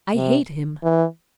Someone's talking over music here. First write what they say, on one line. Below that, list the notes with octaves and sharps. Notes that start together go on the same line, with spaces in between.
"I hate him!"
C3
E3